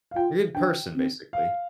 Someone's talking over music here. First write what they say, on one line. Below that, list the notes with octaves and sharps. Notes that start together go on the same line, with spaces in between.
A good person, basically.
F5
F4 G5
D4 G5
C4
F5